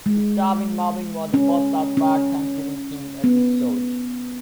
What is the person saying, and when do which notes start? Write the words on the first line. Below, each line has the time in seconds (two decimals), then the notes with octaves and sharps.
"Starvin' Marvin" was the first "South Park" Thanksgiving-themed episode.
0.06 G#3
1.34 C#4
1.97 C#4
3.24 B3